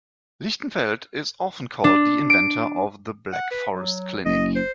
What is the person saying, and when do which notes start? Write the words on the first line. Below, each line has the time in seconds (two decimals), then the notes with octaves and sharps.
Lichtenfeld is often called the inventor of "The Black Forest Clinic".
1.84 D4
2.30 D7
3.32 F#5
3.51 B4
3.73 F#3
4.25 F#1 D#5
4.56 C5